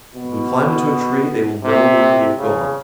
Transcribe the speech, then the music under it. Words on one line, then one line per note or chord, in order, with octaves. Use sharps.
If we climb into a tree they will know where we have gone.
B2
C3
C#3